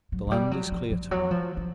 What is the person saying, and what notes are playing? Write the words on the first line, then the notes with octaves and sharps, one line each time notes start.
The land is clear to-night.
F#3
F#3
G3
F#3
F3
F3
F#3
F3
F3